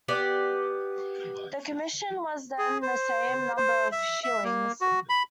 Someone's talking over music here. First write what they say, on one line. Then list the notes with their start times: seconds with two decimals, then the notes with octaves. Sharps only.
The commission was then the same number of shillings.
0.08 B3 G4 D5
2.58 G#4
2.82 C5
3.57 C5
3.92 E5
4.23 E5
4.44 A#3
4.81 F#4
5.09 B5